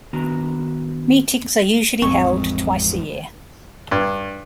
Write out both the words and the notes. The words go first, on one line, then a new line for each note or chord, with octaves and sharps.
Meetings are usually held twice a year.
D#3 B3 D4 F#4 A#5
A1 F2 G#3 A3 C4 C#6
G2